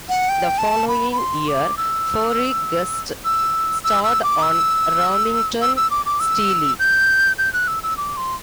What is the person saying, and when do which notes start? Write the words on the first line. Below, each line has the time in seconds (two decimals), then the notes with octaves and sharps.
The following year, Furey guest starred on "Remington Steele".
0.09 F#5
0.29 G5
0.58 A5
0.88 B5
1.12 B5
1.18 C6
1.48 D6
1.78 E6
3.25 E6
3.84 E6
4.04 E6
4.23 D6
4.42 E6
5.62 E6
5.77 E6
5.91 D6
6.06 D6
6.20 E6
6.79 G6
7.38 G6
7.53 F#6
7.68 E6
7.83 E6
7.97 D6
8.17 C6